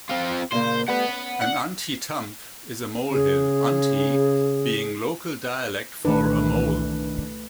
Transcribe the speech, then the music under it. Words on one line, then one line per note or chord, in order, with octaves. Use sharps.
An "unty tump" is a molehill, "unty" being local dialect for a mole.
C4 F4
A#2 C#3 A#3 C5
G3 A3 B3 F#5 B5
C#4
D4 F#5
C#3 G#4
C2 A#2 D#3 E3 A3 D4 B4